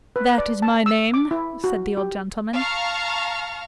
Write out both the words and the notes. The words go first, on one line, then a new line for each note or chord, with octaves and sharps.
'That is my name,' said the old gentleman.
B4
D5
A5
E6
D6
E4
F#4
G4
F5 A5 A#5 C#6 F6